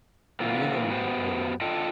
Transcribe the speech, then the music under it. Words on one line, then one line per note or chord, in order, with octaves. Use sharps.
"What do you know about Rodin?"
A#2 D3 E3 C4 F4
B3 F#4 G4 C5
D3 F4 A4 D#5 G5